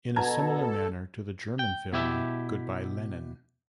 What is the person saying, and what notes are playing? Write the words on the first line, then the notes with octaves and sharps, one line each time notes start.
In a similar manner to the German film Good Bye Lenin!
B2 A4 A5 A#5 G#6
G5
B2 E4 G4 E5